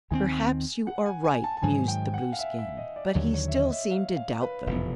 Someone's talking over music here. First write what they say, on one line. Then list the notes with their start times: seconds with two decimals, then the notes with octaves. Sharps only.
"Perhaps you are right," mused the Blueskin; but he still seemed to doubt them.
0.11 D#2 D#3 G3 C4 G#5
0.87 F#5
1.06 G#5
1.24 G#5
1.44 A5
1.57 A5
1.62 G#2 D#3 F#3 G#5
1.88 G5
2.14 F#5
2.33 F5
2.39 E5
2.59 E5
2.77 D#5
2.96 D5
3.15 D#2 D3 F#3 C#5
3.34 C#5
3.48 E5
3.53 D#5
3.72 E5
3.91 F5
4.16 F5
4.42 B4
4.67 F1 E2 B2